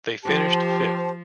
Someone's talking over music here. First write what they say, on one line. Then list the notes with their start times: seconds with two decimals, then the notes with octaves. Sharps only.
They finished fifth.
0.24 F3 G4 C5 A5